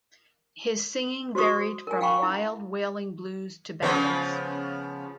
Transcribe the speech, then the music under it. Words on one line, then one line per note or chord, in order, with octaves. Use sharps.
His singing varied from wild wailing blues to ballads.
F#4 C5 C6 C#6 D#6
A#4 G#5
F5 G5 G#5 B5 C#6
E4
C#3 F3 B3